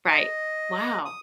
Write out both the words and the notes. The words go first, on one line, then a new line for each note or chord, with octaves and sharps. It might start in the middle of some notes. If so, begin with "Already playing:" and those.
Right, wow.
D#5
D#6